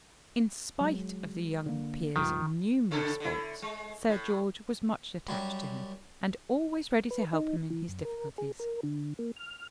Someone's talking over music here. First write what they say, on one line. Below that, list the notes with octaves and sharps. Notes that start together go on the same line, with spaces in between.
In spite of the young peer's numerous faults Sir George was much attached to him, and always ready to help him in his difficulties.
F#3 G#3
D3 A#3
C#2 G2 D#3 F3
A2 C#3 A4
D3 E4
G#3
A2
F#2 G3
B4
D#4
E3
F#2
A#4
G#4
A#4
D3
A#3
F6